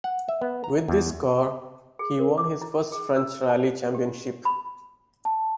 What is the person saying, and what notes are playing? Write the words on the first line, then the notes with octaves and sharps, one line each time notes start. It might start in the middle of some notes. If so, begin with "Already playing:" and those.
With this car, he won his first French Rallye Championship.
F#5
E5
B3
A#5
E2
G#4
A#4
D6
E4
G#4
E6
A5
G4
B5
A5